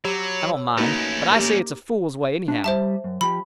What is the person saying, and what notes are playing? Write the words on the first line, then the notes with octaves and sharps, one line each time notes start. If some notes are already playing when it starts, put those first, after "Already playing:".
I don't mind; but I say it's a fool way, anyhow.
F#3 G4 C#5 B5 E6
A3 A#3 C#4 D#4 F#4 B4 A#6
G4 A#4
D4 F#4 E5
G3 C5 E5 A5
F#2
F3 G4 B5